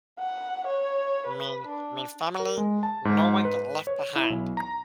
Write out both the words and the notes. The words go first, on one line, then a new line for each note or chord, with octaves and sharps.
mean mean family. No one get left behind,"
F#5
C#5
B4
D4
A#4
G#3
A5
G#2
B4
C#5
E4
B1
A#5